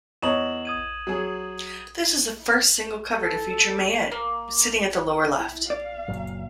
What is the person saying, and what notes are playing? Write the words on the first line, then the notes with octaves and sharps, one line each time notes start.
This is the first single cover to feature Mayte, sitting at the lower left.
E2 C#5 D#5 E7 F#7
D#6 G#6 D#7
F#3 G#4
A4
A#3
E4
D5 F5
F#1 A#2 F#3